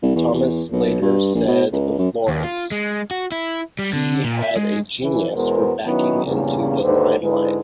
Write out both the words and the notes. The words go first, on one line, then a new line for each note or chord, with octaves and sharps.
Thomas later said of Lawrence, He had a genius for backing into the limelight.
C2
E2
E2
B1
G2
A#1
B2
C#2
F#2
D#2
F4
G#3
F#4
E4
G3
D3
A#2
E5
G#3
E3
E2 B2 G#3 B3 A#4 C5
D#3 F#3 B3 C#4 D#4 E4
E2 G2 A#2 C#3
D#2 G#2 D3 B4 C5
G#2 D3 G#3 E4 B4